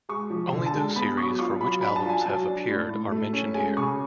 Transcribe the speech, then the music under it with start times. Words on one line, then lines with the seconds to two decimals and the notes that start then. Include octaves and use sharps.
Only those series for which albums have appeared are mentioned here.
0.09 G#3 C#6
0.30 F3
0.52 D3
0.66 A5
0.74 G#3
0.96 B3 B5
1.17 F#3 C#6
1.39 F4 C#6
1.60 F#3 B5
1.81 D4 B5
1.96 A5
2.04 F4
2.09 G#5
2.21 F#3 A5
2.47 D4
2.69 A2
2.90 A2
3.12 A3
3.33 C#4
3.54 G#3 G#5
3.77 C#3 C#6